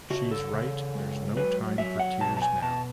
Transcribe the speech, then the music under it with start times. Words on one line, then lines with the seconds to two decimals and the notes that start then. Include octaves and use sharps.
She's right; there's no time for tears now.
0.10 C#3 F#4
0.31 A4
0.53 C#3
0.95 G#3
1.36 F#3 B4
1.78 F#3 E5
2.00 F#5
2.20 B2 A5
2.37 A5
2.42 G#5
2.62 B2 A5